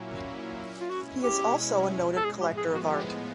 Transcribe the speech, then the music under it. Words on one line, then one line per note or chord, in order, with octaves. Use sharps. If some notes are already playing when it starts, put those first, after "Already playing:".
He is also a noted collector of art.
Already playing: A#2 F#3 A#3 C#4 E4
F4
B2 G#3 C#4 E4 F#4
G4
A4
A2 F3 G#3 B3 G#4
G4
G#4
F#4
G4